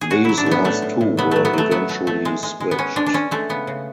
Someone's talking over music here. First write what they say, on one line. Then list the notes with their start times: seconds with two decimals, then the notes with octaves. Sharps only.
These last two were eventually switched.
0.01 G#4
0.10 A2 F#4
0.25 F#3 E4
0.38 D4
0.46 A3
0.51 B3
0.64 A2 A3
0.82 A2
1.01 A2
1.17 F#3 B3
1.31 F#3 A3
1.45 B3
1.53 F#3 A3
1.71 F#3 B3
1.89 A3
2.07 A3
2.25 G#3
2.43 G#3
2.60 G#3
2.71 B3
2.78 G#3 C#4
2.96 G#3 D4
3.06 D4
3.14 G#3 C#4
3.31 G#3 A3
3.49 C#3 B3
3.67 C#3